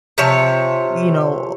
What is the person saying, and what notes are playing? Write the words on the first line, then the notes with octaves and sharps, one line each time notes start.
you know,
C3 F3 C#5